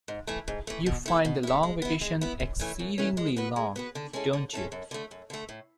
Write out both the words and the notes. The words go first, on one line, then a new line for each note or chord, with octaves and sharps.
You find the long vacation exceedingly long, don't you?
G#2
E3 A3
G#2
E3 A3
B2
A3 E4
B2
A3 E4
G#3
B3 E4
G#3
B3 E4
F#2
E3 A3 C#4
F#2
E3 A3 C#4
G#3
B3 F#4 B4
G#3
B3 F#4 B4
D3
G#3 C#4 E4 A4
D3
G#3 C#4 E4 A4
F#2
D3 A3
F#2
D3 A3
A2